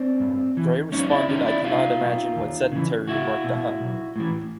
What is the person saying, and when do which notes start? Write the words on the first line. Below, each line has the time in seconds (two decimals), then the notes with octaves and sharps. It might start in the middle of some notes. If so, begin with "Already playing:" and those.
Gray responded I cannot imagine what sedentary remark the hon.
Already playing: C4 D4
0.20 G2
0.57 E3
0.92 F#2 C#4 D#4
1.10 D4 E4
1.28 D#3 C#4 D#4
1.42 F4
1.46 D4 E4
1.64 C2 D#4 F4
2.01 B2
2.36 D#2
2.72 C#3 E3
3.07 C#2 E4 F#4
3.44 B2
3.80 B1
4.16 A2 E3